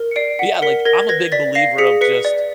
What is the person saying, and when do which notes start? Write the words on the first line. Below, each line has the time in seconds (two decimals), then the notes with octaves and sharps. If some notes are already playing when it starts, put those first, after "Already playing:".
but yeah, like, I'm a big believer of just
Already playing: A#4
0.11 C#7
0.16 D5 C7 D7
0.39 F#5 B6 C#7
0.62 A#4 B6 C#7
0.85 A#4 G#6 A#6
1.09 B4 G#6 A#6
1.32 D5 A6 B6
1.55 F5 A#6 C7
1.78 G#4 B6 C#7
2.01 B4 B6 C#7
2.25 D5